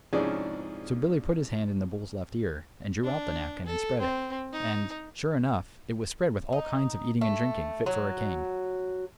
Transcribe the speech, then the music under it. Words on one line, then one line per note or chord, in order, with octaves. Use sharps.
So Billy put his hand in the bull's left ear, and drew out the napkin, and spread it; and, sure enough, it was spread with all kinds of eating and drinking, fit for a king.
C2 G#2 F3 C#4 G#4 D5
D4
A4
C4
D#4
D#4
A3
F#3